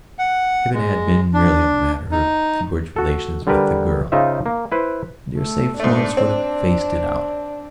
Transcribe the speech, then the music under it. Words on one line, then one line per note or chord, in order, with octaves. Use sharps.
If it had been merely a matter of Edward's relations with the girl I dare say Florence would have faced it out.
F#5
G#3
D4
D#4
F#4 A4
D3 G3 G4 A#4 B4
C#3 D#4 F4 C5 E5
A#3
E4 B4 C5
A3
G#2 A3 D4
C4